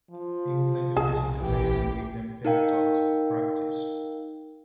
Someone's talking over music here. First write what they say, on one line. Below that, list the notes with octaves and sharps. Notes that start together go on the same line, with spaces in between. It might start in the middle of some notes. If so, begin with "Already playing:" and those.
He would later visit the players and give them "pep" talks at practice.
F3
C2 G#4 G#5 A5
A1 E3 G4
D#4 A#4 F5 G5